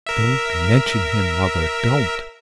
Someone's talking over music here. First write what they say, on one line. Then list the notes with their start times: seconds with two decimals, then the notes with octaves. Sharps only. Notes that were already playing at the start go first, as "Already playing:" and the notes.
'Don't mention him, mother, don't!'
0.06 A#4 E5